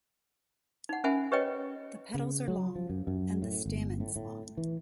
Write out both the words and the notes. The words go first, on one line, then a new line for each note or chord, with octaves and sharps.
The petals are long and the stamens long.
D#4 F#5
C#4 A#4 E5 F#5 G#5 B5
G4 B4 C#5 D#5 G5
C#3
F#3
F3
F#2
F#2
A2
G1
A2
A2
E3